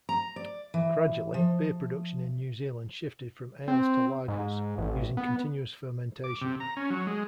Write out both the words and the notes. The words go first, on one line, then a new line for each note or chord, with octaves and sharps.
Gradually, beer production in New Zealand shifted from ales to lagers, using continuous fermentation.
A#5
D5
E3
F3
C4
G#2
A1
B3
D6
C3
A#5
C#4
F#3
G#3